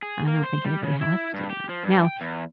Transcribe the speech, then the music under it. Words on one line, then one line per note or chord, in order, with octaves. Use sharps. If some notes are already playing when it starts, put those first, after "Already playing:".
I don't think anybody has to know. Now,
G#4
A#3
C5
G3
C#3
E4
G2
G4
F3
G2
G5
E2